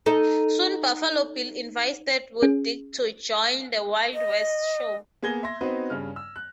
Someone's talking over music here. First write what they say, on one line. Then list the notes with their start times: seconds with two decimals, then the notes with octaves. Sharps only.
Soon Buffalo Bill invites Deadwood Dick to join the Wild West Show.
0.06 D#4 A4 D#5
2.42 C#4 G#4
4.14 D#5
5.22 A#3 B3 G#4 G#6 A#6 G7
5.43 E5 C6 A#6
5.61 B3 C4 D#4 F#4 B4 C5
5.90 G2 C#3 F6
6.16 E6
6.36 F#6